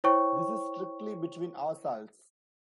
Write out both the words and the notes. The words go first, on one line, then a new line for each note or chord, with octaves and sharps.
This is strictly between ourselves.
E4 C5 C#5 G5 C#6